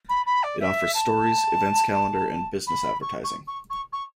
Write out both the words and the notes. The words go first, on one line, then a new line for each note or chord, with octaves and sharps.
It offers stories, events calendar and business advertising.
B5
B5
D5
E5
A5
B5
C#6
C#6
C#6
C#6
C#6